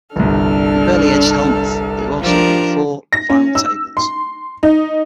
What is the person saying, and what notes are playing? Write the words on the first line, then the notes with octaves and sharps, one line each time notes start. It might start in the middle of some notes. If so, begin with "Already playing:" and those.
He barely edged Hellmuth, who also made four final tables.
G1 C2 D4 A4 F6
F3 D4 F4 G4 A#4
A#6
C#4
E6
C6
D#4